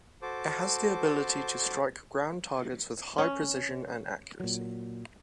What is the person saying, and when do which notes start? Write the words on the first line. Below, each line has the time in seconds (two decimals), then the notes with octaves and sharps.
It has the ability to strike ground targets with high precision and accuracy.
0.22 F#4 A4 C5 A5 D6
3.18 C#4
4.40 A#2 F#3